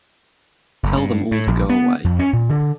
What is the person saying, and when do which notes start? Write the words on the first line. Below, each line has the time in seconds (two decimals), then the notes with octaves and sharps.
Tell them all to go away.
0.83 F#1
0.97 G2
1.32 A2
1.47 A#1
1.69 B3
2.04 F2
2.19 C#4
2.33 A#2
2.49 D3